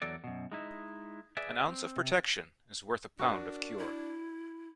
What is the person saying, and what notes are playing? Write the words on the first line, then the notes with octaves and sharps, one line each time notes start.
An ounce of protection is worth a pound of cure.
E2 F#3 A4 D5
F#2 B2
G#3 D#4 E4
G#4 B4 D5 E5
C4
C3
D4 F#4 A#4
E4